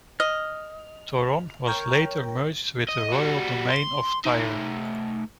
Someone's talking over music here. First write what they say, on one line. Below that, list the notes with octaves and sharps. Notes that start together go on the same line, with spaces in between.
Toron was later merged with the royal domain of Tyre.
D#5 F6
A#4 C#5 G5
D#5
G3 F#4
C6
A3 D#4